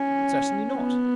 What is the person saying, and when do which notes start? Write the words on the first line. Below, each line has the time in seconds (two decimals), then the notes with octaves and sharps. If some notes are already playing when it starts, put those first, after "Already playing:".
"Certainly not!"
Already playing: C#4
0.75 B3